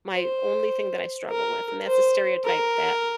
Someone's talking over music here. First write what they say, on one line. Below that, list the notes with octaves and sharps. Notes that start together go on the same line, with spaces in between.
my only thing that I struggle with, and that's a stereotype that
C5
A#4
C5
A#4